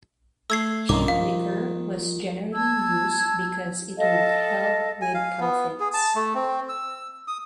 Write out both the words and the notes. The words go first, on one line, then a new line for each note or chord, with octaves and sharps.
Cheap liquor was generally used because it would help with profits.
A3 E6 G#6 C7
B1 G2 D#3 D#4 F4 D6
F3 F5
A5 E6 G#6
A4 D#5 F5 A5
G#5
F5
B3
G#4
A5
A3
C4
E6
D#6